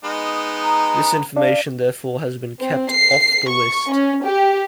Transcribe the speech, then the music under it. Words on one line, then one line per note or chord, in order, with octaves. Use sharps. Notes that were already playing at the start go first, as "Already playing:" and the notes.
This information therefore has been kept off the list.
G#3 B3 D#4
A#5
D4 F5
C4
C7
C#6
C#4
G4